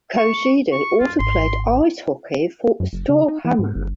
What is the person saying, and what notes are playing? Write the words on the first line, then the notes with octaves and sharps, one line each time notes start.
Kojedal also played ice hockey for Storhamar.
C#6
C#6
F#2 F4
G#1 C6
F#2
F#1
C#3
D#4
E3
G#2
G1